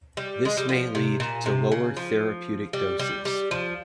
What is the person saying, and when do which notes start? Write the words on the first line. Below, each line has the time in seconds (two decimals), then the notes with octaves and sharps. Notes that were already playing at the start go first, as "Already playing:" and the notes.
This may lead to lower therapeutic doses.
0.17 G3
0.45 G#3
0.57 G3
0.69 F3
0.95 C3
1.20 A#2
1.46 C3
1.72 C#3
1.97 F3
2.73 G3
2.99 G3
3.25 G3
3.51 F3